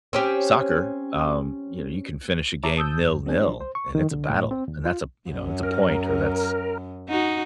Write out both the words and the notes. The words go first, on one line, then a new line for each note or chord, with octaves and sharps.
soccer, um, you know, you can finish a game nil nil, and it's a battle, and that's a, you know, it's a point or that's,
C4 C#4 G4
C#5 E5 A5 A#5 D6
A5 D#6 E6 G6
F#2
F#3 B3 C4 D4 G#4
F3 F#3 D4
C5
C#6
D#3
D3
A2
C4
D#2
F4
F#2
A#4
D#4 F#4